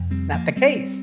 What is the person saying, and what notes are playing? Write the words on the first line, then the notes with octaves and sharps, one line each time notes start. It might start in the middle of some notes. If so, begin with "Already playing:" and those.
it's not the case.
Already playing: F2 C3
G3 C4
F3 A#3
G3 C4